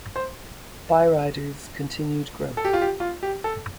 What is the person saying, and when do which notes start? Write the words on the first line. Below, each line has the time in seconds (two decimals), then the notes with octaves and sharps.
Byrider's continued growth.
0.16 C5
2.57 A4
2.65 G4
2.74 F4
2.82 G4
3.00 F4
3.23 G4
3.44 A4